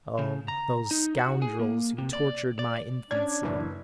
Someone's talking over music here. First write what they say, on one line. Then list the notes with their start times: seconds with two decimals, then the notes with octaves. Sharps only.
Oh! those scoundrels who tortured my infancy!
0.19 C#3
0.48 A#5
0.91 D#4
1.18 F#4
1.42 G#4
1.59 A#3
1.98 C3
2.13 D5
2.59 D5
3.11 C#4 D4 D5 G#6
3.43 F#1 A2 E3 F#3